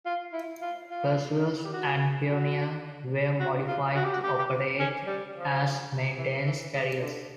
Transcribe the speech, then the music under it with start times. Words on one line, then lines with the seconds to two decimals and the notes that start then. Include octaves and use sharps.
"Perseus" and "Pioneer" were modified to operate as maintenance carriers.
0.06 F4
0.33 E4
0.62 F4
0.89 F4
1.65 G4
1.73 F#4
2.28 F#4
3.40 F#4
3.68 F4
3.95 F#4
4.04 G4
4.13 F#4
4.23 G4
4.39 G4
4.79 C#4
5.07 G3
5.35 F3
6.18 E3
6.46 E3
6.74 C#3
7.01 D3